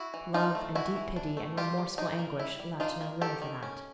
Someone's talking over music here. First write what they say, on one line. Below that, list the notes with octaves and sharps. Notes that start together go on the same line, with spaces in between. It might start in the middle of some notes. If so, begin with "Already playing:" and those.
Love and deep pity and remorseful anguish left no room for that.
Already playing: E4 F#4
E3
D4 D#4 F4
A3
E3 E4 F#4
E3
D4
A3
G3 F4 G4
G3
D4 D#4
A#3
G3 E4
G3
D4 D#4 F4
A#3
D#3 G4 A4
D#3
C#4